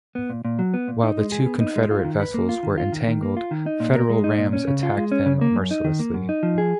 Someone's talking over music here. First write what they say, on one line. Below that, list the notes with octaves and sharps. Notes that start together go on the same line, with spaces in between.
While the two Confederate vessels were entangled, Federal rams attacked them mercilessly.
B3
A#2
A#2
F#3
B3
A#2
D#4
G#3
G#4
B3
D#4
G#3
F4
D#3
B4
A#3
F4
D#3
F4
D#3
D#3
A#3
F4
D#3
D#4
A#2
A#4
G#3
D#4
A#2
C#4
C#3
F4
G#3
C#4
C#3
A#3
F#2
D#4
D#3
A#3
F#2
D#4
F3
G#4